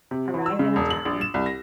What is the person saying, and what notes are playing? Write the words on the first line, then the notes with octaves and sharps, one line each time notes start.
Arrive in a town.
C3
E3
E6
C#3
E1
F#7
A#1
E7
C2
A#6